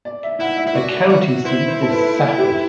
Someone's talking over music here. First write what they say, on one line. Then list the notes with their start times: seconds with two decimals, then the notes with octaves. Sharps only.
The county seat is Safford.
0.05 D5
0.23 E5
0.40 E4 F#5
0.57 E5
0.67 E4
0.75 F#4 D5
1.09 F#4
1.45 E4 C5
1.68 C5
1.82 A4
1.91 B4
2.38 G4